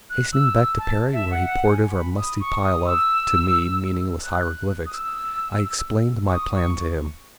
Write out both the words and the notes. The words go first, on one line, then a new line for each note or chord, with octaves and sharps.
Hastening back to Perry where he pored over a musty pile of, to me, meaningless hieroglyphics, I explained my plan to him.
F#6
E6
E6
A5
E5
F#5
F#5
G#5
B5
D#6
C#6
D#6
E6
F#6
D#6
E6
C#6
D#6
C#6